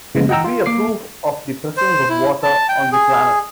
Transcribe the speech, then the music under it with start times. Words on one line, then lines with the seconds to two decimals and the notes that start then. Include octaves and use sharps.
It would be a proof of the presence of water on the planet.
0.15 C#3 F3 G#3 A#3 B3
0.29 D#5 F#5 G5 A#5 E6
0.44 F4
0.66 A#3 D6 C7
1.77 C5
2.09 E4
2.43 A5
2.68 G5
2.92 G#4